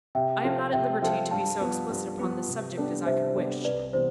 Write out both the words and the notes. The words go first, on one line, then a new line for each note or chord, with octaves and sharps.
'I am not at liberty to be so explicit upon this subject as I could wish.
C3 E5 G5
F3 C4 F4 A4
C3 E5 G5
F3 C4 F4 A4 E5 G5
G2 F5 A5
F3 B3
G2
F3 B3
C3
G3 B3 D4 A4
C3 C5 E5
G3 B3 D4 A4
C2 B4 D5
C3 E3 B3 C5